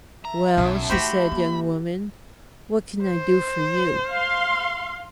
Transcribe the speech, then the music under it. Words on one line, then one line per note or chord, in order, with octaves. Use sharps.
"Well," she said, "young woman, what can I do for you?"
E5 A5 A#5
B1 F#2
A3 D#4 F#4 G4 C5 B5
A#3
C5
F5 C6